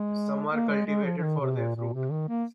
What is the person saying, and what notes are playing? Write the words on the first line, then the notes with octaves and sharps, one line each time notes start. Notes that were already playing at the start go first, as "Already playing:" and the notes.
Some are cultivated for their fruit.
Already playing: G#3
A#3
G#3
G#3
F3
F3
D#3
C3
A#2
A#2
C3
D#3
A#3